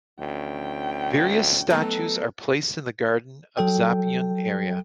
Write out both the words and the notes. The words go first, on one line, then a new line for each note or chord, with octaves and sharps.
Various statues are placed in the gardens of Zappeion area.
D2 C#4 G5
F#3 A3 B3 D#4 A4
F#3 A4 G5